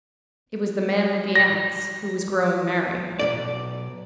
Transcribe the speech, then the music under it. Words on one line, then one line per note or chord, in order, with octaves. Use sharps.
It was the man with the axe, who was growing merry.
A#6
B1 F#2 D5